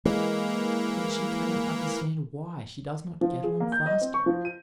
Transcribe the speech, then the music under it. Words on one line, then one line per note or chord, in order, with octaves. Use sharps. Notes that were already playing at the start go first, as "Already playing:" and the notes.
And she can not understand why she does not get on faster.
E3 G#3 A#3
F3
G#4
A#3
G6
D#5
C4
C#6
F3
D#7